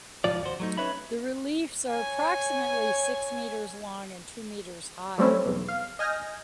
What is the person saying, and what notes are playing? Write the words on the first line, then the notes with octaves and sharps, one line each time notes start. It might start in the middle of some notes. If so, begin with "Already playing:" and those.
The reliefs are approximately six metres long and two metres high.
C2 G#2 F3 F4 D5
D#2 F#4 C5
F#3 A3 D#4
C#4 B4 C#5 E5 B5
C#5 G#5
F#3 G3 A3 C4 C#4 E4
B1 E2
F5
D#5 G#5 F6 G6 A#6